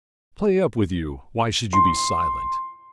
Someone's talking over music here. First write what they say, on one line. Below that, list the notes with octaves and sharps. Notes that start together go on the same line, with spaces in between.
'Play up with you, why should you be silent?
C6